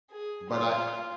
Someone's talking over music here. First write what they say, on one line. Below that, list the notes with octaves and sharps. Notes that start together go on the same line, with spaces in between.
But I
G#4
F4